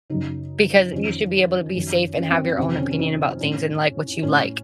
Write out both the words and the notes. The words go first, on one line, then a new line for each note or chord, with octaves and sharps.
Because you should be able to be safe and have your own opinion about things and like what you like,
F#2 C#3 D#4
F2 D#3 C#4
F#2 D#3
C#4
C4
C#4
F2 C3 D#3 C4
C#4
C#4
D#4
A2 C#4
A2 C#4